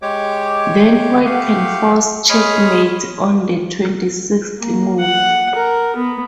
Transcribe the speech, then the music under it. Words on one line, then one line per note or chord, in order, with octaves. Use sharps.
Then White can force checkmate on the twenty-sixth move.
G#3 G4 C#5 D6
A3 G4 F5 F#5
G#3 G#4 C#5 B5 D#6 F6
A#3
F#5
A#4
B3